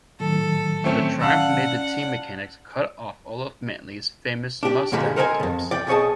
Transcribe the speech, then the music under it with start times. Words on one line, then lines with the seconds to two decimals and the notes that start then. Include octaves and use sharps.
The triumph made the team mechanics cut off Olaf Manthey's famous moustache tips.
0.20 A2 D#3 F#3 A4
0.84 A3 C4 C#4
1.21 C#4 D5 F5 F#5 A5 E6
4.63 D4 G4
4.92 C#2 A#2 D3 G3 G#3
5.16 A4 A#4 C5 D#5 F#5 G#5
5.40 F2 C#3
5.71 D5 G5
5.87 B1 G#4 C#5 D#5 A5